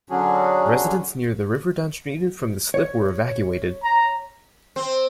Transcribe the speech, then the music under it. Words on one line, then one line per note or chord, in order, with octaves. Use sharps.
Residents near the river downstream from the slip were evacuated.
D3 F#3 C#4 D4 F#4 G#4
C#5
A#5
C4